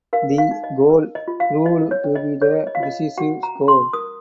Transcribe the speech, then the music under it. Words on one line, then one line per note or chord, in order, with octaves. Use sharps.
The "goal" proved to be the decisive score.
A#4 F5
F5
D#4
D#5
A#4
D#5
F4
F5
F4 D#5
C#5
C#4
D#5
G#4 C#5
D#5
F5
F4 D#5
F#4 F#5
A#5
C#4
C6
A#4 D#6